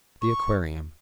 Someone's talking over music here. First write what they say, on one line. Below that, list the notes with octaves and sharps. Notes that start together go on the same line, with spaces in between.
The Aquarium.
C#6